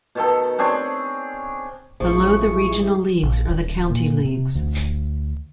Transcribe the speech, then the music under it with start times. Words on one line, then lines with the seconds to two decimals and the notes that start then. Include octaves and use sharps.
Below the regional leagues are the county leagues.
0.15 B2 D#3 A4
0.58 C4 D4 G#4 C#5
2.00 A1 F3 G#3 E4 G#4 C#6
3.23 A#1
3.48 D#1
3.90 A#2
4.25 C3
4.55 D2